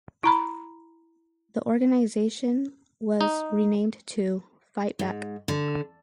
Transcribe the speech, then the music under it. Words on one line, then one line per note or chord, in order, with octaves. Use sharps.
The organisation was renamed to "Fightback".
E4 A#5 B5
D#4
G#2
D3